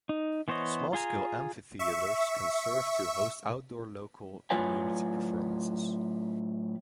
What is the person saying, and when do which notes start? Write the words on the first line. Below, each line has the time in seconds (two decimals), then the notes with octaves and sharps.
Small-scale amphitheatres can serve to host outdoor local community performances.
0.09 D#4
0.48 E3 B3 C5 C#5 D#5
0.93 F4 G#4 G#5 A#5
1.79 E5 C#6
4.50 A2 F#3 F4 B4 C#5 G#5